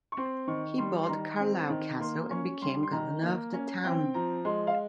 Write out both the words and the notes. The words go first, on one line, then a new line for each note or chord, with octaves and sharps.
He bought Carlisle Castle and became governor of the town.
C#6
C4 C6
D#3 C#6
G3 C6
C6
D#3 A#5
C4
D#3
A#3 C6
C#4 C#6
G3 C6
C6
D#3 A#5
A#3
C#4
C4 G5
F3 A#5
G#3 C6
F5